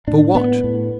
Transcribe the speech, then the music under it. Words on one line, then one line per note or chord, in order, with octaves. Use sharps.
For what?
A2 D4
A2 B3
A2